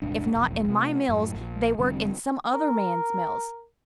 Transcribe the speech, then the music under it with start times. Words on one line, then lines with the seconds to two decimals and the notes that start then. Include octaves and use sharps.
If not in my mills, they work in some other man's mills.
0.02 D#1 C2 G#2 D4
0.34 E1 B1 F2
0.68 C3 A3
1.09 F#2 A2
1.35 A#1
1.78 F1 D3 G3 C4
2.54 A#4